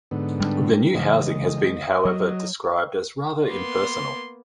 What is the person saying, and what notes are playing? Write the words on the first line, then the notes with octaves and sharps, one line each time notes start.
The new housing has been however described as rather "impersonal".
G#2 D3 B3
G3 C4 D4
C#3 E3 G#3 D#5
F#3
A#3 B3 C6